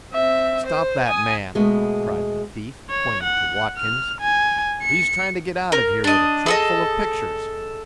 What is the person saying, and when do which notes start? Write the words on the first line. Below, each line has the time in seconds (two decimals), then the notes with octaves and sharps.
"Stop that man," cried the thief, pointing to Watkins, "he's trying to get out of here with a trunkful of pictures."
0.13 C4 E5
0.66 C5
1.06 G#5 D#6
1.55 B2 G#3 A3 B3
2.90 C#5
3.23 F#5
3.78 F6
4.21 G#5
4.83 C#7
5.72 A#4
6.04 D4 D#5
6.46 G#4 A4 D#5